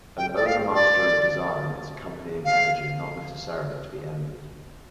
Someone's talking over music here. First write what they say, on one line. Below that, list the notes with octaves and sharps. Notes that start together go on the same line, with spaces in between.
An overmastering desire and its accompanying energy are not necessarily to be envied.
G5
D5
F5
D5
F5